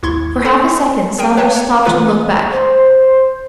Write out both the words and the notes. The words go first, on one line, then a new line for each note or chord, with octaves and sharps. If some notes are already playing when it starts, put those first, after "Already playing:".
For half a second Saunders stopped to look back.
G#1 D#2 E4 C6 C#6 G#6
A4 C5 F#5 G5 B5
G#3 G#4 A#4 G5 D7 D#7
B4 C#5 E5 F5 G5 A5
C#5
E3 A3 B3 F4 A4 B4
C5